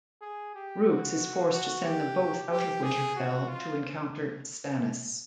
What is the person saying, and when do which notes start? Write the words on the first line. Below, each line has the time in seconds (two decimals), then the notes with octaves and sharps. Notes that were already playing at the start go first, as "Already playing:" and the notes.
Roose is forced to send them both out of Winterfell to encounter Stannis.
0.21 G#4
0.54 G4
0.87 F#4
1.52 F#4
1.85 G4
2.50 G4
2.83 G#4
3.16 F#4
3.48 F4